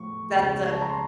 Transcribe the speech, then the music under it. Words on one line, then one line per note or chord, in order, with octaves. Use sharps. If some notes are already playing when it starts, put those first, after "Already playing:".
that the
Already playing: A2 F3 C#6
C#2 C#3 F3
A5
A#5
C6